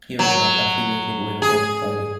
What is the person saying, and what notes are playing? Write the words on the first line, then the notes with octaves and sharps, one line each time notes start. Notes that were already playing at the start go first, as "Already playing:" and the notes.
He was not affiliated with any party.
F#3
G#4